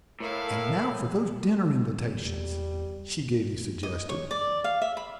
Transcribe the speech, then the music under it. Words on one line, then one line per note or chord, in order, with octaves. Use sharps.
"And now for those dinner invitations!" she gaily suggested.
A2 E4 A#4 F5
E2 G3
D#5
C#5
D5
F5
E5
B5